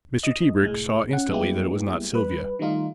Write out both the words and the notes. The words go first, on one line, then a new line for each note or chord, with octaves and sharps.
Mr. Tebrick saw instantly that it was not Silvia.
D#5
C2 A2 G#3
C#4 F#5
G3 G#3 A#3 B3 E4 G4
G3 B4
D#3 G3 A3 D#4 F4